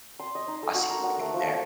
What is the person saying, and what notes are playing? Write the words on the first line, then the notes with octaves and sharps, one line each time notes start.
I see what you mean there.
C6
D#5
D#4
A4
F#4
A#4
F#5
A3
F3
A5